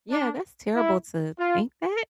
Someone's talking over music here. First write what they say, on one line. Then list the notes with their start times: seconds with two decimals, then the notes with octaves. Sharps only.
Yeah, that's terrible to think that.
0.11 D4
0.74 E4
1.38 F4